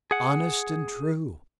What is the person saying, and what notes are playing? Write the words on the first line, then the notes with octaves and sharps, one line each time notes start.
"Honest and true."
G#4 F#5